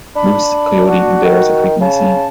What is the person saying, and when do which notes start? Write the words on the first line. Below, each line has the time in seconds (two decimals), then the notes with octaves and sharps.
Moose, coyote, and bears are frequently seen.
0.16 D4 B5
0.87 F#4
1.24 D#3
1.80 C#3 A5